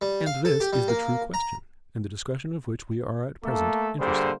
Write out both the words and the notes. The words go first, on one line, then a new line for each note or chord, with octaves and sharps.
And this is the true question, in the discussion of which we are at present interested.
G3
F5
A4
G4
G3
A#3
A#5
A3 A#3 A4
D3 G3 A#3 G#4 C5